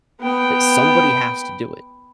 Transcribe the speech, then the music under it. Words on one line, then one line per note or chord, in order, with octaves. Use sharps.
that somebody has to do it.
B3 G5